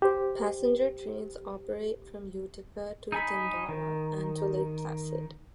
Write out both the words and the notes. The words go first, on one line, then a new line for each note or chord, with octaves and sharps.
Passenger trains operate from Utica to Thendara and to Lake Placid.
G4 C5
D#4 G#5 B5
D#3